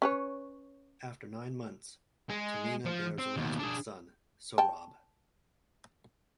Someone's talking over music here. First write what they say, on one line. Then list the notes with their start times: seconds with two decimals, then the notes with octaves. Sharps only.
After nine months, Tahmina bears Rostam a son, Sohrab.
0.02 C#4 B4 C#5
2.30 G#3
2.85 F3
3.18 C4
3.37 D#2 B2
3.59 D4 G#4
4.58 G5 A5